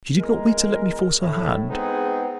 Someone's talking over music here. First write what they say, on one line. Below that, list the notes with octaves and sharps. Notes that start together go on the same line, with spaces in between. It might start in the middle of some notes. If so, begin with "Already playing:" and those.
She did not wait to let me force her hand.
E2 G#3 A#4
A2
G#3 B3 C4 D#4 G#4